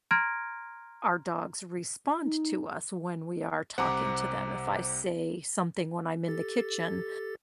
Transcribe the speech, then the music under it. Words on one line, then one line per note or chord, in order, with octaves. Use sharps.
our dogs respond to us when we are talking to them. If I say something when I'm in the kitchen,
A#5 C6 F6 G#6 A#6 D7
D#4
C2 C3 C5 F#5 A#5 D6
G4 A4 A6